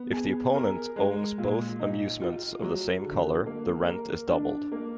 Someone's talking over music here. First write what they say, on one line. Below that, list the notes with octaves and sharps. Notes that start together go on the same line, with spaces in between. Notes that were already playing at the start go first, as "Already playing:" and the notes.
If the opponent owns both amusements of the same color the rent is doubled.
Already playing: B3
G#4
A#4
G#3
A#2
D#4
F4
F#3
D3
A#3
A#4
D4
A#3